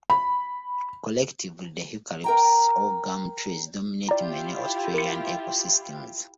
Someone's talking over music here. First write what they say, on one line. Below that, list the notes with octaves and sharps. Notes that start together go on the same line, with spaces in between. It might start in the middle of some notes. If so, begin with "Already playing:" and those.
Collectively the eucalypts, or gum trees, dominate many Australian ecosystems.
B5
A#4 G5 A#5
E4 F4 G4 D5 A#5
A#4 C#7